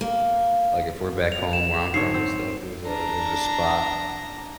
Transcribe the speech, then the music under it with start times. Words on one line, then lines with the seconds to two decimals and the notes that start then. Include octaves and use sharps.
like, if we're back home where I'm from and stuff, there's a there's a spot,
0.01 A#3
1.32 F7
1.53 E7
1.94 G#2 D3 C#5 C7
2.14 C4
2.85 D4 A#5